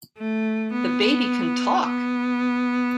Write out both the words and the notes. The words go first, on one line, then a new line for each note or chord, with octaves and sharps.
The baby can TALK!
A3
B3
B3